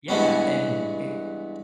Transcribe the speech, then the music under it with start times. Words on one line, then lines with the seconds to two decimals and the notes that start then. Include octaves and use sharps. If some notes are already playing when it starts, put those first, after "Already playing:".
Yeah, and it
0.08 G2 E3 G#3 B3 C#4